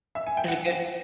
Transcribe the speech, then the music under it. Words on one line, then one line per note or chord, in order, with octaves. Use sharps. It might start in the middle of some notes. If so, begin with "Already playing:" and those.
Is it good?
E5
G#5
G5
F#5